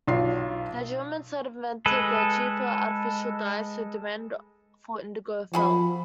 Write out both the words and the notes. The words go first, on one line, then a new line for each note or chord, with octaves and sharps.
The Germans had invented a cheaper artificial dye so the demand for indigo fell.
B1 F4 C7
G#3 A4 B4
F3 F#4 G#4 B5